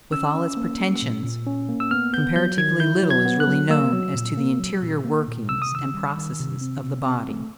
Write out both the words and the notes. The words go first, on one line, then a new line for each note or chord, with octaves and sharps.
With all its pretensions, comparatively little is really known as to the interior workings and processes of the body.
C#4 E6
C#4
A#3
C#4
A#2
A#2
C#4
A#3
E6
B3 F6
B3 G6
F#3 G6
D#3 G#6
E4 G6
F#3
G#6
B3
F#6
F#3
A#3 E6
F#3
A#2
A#3
F#3
A#2
A#3
A#2
C3 E6
D#6
D#3 E6
G3
D#3
C3
C4
C3
C4
A3